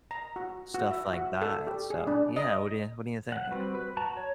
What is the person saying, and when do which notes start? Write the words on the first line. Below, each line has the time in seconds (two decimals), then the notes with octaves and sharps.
stuff like that, so Yeah, what do you what do you think?
0.11 A#5
0.36 F#4
0.74 F#4
0.91 E5
1.13 F#4
1.42 A4
1.67 G4
1.90 G#4
2.07 D4
2.36 D#5
3.32 F#5
3.51 G3 C4 F#4 B4
3.75 B4
3.97 F#4 A5 A#5
4.17 C#5